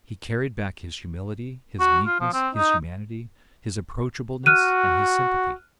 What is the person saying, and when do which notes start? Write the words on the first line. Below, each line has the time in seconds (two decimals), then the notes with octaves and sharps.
He carried back His humility, His meekness, His humanity, His approachableness, and His sympathy.
1.80 F#4
2.06 F4
2.20 F3
2.33 C4
2.55 D#4
4.46 F#4 F6 F#6 D#7